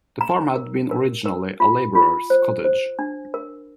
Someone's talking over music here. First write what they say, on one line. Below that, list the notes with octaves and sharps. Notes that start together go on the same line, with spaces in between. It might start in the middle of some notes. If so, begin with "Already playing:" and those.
The farm had been originally a labourer’s cottage.
A#5
A#4
A#4
A#4
F4
F4
C5
C5
D4
A#4